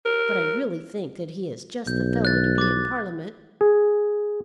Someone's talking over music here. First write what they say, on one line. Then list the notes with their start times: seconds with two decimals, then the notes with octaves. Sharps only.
But I really think that he is just the fellow to be in Parliament.
0.05 A#4
1.87 B1 G6
2.25 F#6 A6
2.58 D6 A6
3.61 G#4